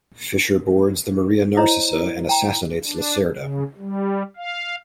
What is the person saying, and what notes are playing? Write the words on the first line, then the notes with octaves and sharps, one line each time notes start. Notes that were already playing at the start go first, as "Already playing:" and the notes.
Fisher boards the "Maria Narcissa" and assassinates Lacerda.
E4 C5 C#5 D#5 A#5
G5 A#5
D4
C#3
G3
F5